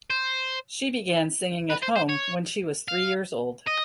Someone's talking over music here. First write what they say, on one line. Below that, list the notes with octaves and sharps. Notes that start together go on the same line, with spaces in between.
She began singing at home when she was three years old.
C5
B4
C5
C5
C#5
F5
D#5